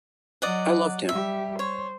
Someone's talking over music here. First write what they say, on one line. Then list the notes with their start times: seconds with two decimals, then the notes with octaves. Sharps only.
I loved him.
0.42 F#3 D5 D#5 F#5
1.09 G3 G4 E5
1.59 C5 C#5